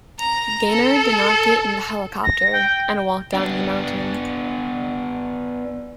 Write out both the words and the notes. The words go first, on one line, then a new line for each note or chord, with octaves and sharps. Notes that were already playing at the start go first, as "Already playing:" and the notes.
Gaynor did not get in the helicopter, and walked down the mountain.
A#5
A4
A#6
G5
B3 D4